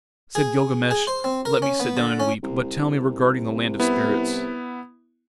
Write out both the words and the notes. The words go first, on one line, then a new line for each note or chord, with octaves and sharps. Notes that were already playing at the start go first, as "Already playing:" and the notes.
Said Gilgamesh: "Let me sit down and weep, but tell me regarding the land of spirits."
G#4
G#4
C5
C4
A#4
C#4
B3
D3
C#4
C2
B3 E4